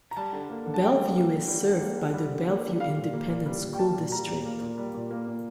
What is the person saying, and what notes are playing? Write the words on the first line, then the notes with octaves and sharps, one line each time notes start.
Bellevue is served by the Bellevue Independent School District.
A#5
G3 A5
D3
A#3
D3
A5
G3 G5
D3
A#3
D3
G3
D3
A#3
D3
G3
D3
A#3
D3
G3 F5
A#2
A#3
A#2
G3
A#2
G5
A#3 A5
A#2
G3 A#5
A#2
A#3
A#2
G3
A#2
A#3
A#2